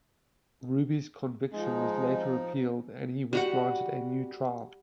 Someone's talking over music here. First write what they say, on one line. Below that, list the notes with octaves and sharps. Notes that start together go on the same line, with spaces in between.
Ruby's conviction was later appealed and he was granted a new trial.
F3 G#3 D#4
G3 F#4 F#5